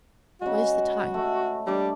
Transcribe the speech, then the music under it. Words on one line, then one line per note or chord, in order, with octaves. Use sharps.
"What is the time?"
C#3 G#3 F#4
A3
G3 D4 D5